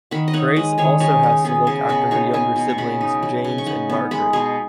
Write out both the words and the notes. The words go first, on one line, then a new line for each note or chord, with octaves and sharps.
Grace also has to look after her younger siblings James and Margaret.
D#3 F#5 B5
D#5
D#4 C#5 F#5
G#3 B4 D#5
D#3 G#4 C#5
C#3 G#4 C#5
D#4
B3 G#4
C#3 G#4
B2 F#4 B4
D#4 G#4 C#5
B3 G#5 C#6
B2
C#6
C#3 F#5 B5
D#4
F#3
C#3
C#6
D#4 F#5 B5
B3
G#3 F#5 B5
B2 G#4